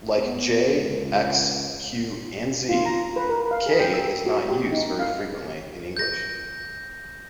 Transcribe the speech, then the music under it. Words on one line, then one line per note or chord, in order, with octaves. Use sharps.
Like J, X, Q, and Z, K is not used very frequently in English.
B3
C#2
F4
A#5
B4
A#4
F5
G#4
G5
E6
F#4
G4
D#4
F5
G6 A#6